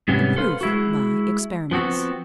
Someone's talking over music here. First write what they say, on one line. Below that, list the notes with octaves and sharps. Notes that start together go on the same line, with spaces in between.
The PROOF by Experiments.
G#2 C3 G3 B3 C#4
A4 B4 C5 F5
G#3 E4 F#4
F3 B3 C4 F#4